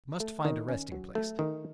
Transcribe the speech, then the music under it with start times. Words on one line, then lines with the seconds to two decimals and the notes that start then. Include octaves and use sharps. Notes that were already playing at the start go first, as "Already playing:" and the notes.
I must find a resting place.
0.20 A3
0.45 D#3
0.69 C#4
0.92 F#3
1.15 A3
1.39 D#3